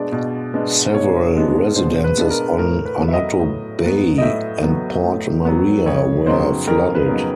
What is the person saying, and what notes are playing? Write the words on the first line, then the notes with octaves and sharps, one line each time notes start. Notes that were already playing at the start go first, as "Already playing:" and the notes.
Several residences on Annotto Bay and Port Maria were flooded.
Already playing: B2 G#3 B3 D4 D5
B2
G#3 B3 D4
B2 C#5
G#3 B3 D4
B2 C5
B4
G#3 B3 D4
A#4
A2 A#4
B4
F#3 B3
E5
D#5
A2
F#3 B3
D#5
A2 E5
F#3 B3
A2
F#3 B3
F2 C#5
C#3 F#3 B3 D#4 C5
F2 A#4
B4
C#3 F#3 B3 D#4